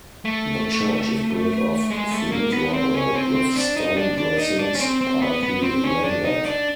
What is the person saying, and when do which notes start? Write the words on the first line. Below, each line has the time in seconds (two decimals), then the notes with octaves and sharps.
The church is built of flint rubble with stone dressings, partly rendered.
0.25 A3
1.90 G#3
2.11 A3
2.32 A#3
2.52 B3
2.73 C4
2.94 C#4
3.15 C4
3.35 C4
3.56 D4
3.77 D#4
3.97 D4
4.18 D4
4.38 D#4
4.59 D4
4.75 C#4
4.80 C4
5.01 C4
5.21 B3
5.43 B3
5.63 C4
5.84 C#4
6.04 D4
6.25 D#4
6.45 D4